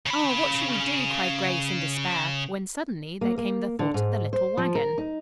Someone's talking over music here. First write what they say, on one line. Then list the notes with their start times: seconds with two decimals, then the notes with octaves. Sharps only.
"Oh, what shall we do?" cried Grace in despair when suddenly there came the thought of the little wagon.
0.06 C#3 B5
3.21 A#3
3.38 A#3
3.79 D3
3.94 G#2
4.33 C5
4.58 F3
4.75 A#4
4.98 D#4